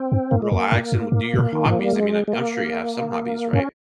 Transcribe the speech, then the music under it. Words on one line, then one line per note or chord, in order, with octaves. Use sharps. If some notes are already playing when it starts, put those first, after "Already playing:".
relax, and w do your hobbies, I mean, I'm I'm sure you have some hobbies, right?
Already playing: C4
G2
G2 A#3
G#3
F2 A#3
G2
G2
G#2
G#2
A#2
D#3
G#2 F3
G3
G#3
G#3
A#3
G2 C#4